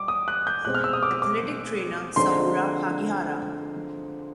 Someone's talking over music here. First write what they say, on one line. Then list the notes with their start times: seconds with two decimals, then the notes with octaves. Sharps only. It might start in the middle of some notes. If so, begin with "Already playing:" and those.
Athletic Trainer: Saburo Hagihara.
Already playing: G3 D6
0.08 D#6
0.28 F#6
0.47 G6
0.65 B2 G#3 C4 F#6
0.75 F6
0.84 E6
0.93 D#6
1.03 D6
1.22 D6
2.16 D3 F3 G#3 C4 D#4 C6